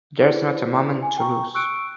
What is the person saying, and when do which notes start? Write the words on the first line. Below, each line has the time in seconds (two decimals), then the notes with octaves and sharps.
There's not a moment to lose.
0.21 E4 G4 G#4 B4 C5 D5
1.03 G#5
1.18 G5 A#5 C#6
1.54 C#6 E6 F#6 C#7 D7